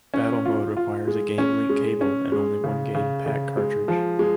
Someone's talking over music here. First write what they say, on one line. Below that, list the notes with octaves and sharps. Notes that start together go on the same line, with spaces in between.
Battle mode requires a Game Link Cable and only one game pak cartridge.
C#4
F4
F4
G#3
C#4
G#3
C#4
G#3
C#3
C#3
C#3
G#3
F3
G#3